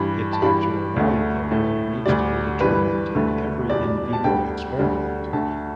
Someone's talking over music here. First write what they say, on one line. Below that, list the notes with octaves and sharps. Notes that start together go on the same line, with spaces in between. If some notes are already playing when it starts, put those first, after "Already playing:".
Its actual value therefore needs to be determined in every in vivo experiment.
Already playing: G2 E3 G3 B5
A5
G2 E3 G3 B5
D2 D3 A3
A2 A3
D2 D3 G3 D5
G2 E3 G3 B4
D2 D3 A3
E2 B2 G3 D5
A5
D2 D3 G3 G5
D2 D3 G3
D2 D3 A3 A5